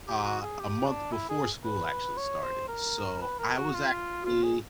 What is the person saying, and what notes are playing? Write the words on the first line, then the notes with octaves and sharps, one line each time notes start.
uh, a month before school actually started, so I was actually,
G4
F#4
G#4
G4
D4
E4
G#4
B4
C#5
C5
A#4
B4
A#4
F#4
F4
F4
G#4